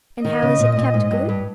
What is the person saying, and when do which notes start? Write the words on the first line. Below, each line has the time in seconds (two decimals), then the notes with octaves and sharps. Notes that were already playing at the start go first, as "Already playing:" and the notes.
And how is it kept good?
0.25 D#3 D#5
0.42 C#3
0.60 A#2
0.77 A#2
0.94 G#2
1.11 G2
1.29 G2